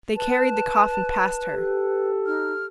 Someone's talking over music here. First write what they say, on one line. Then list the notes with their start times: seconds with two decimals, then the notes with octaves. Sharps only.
They carried the coffin past her.
0.16 B4 A5
1.50 G4 A4
2.26 D#4 F6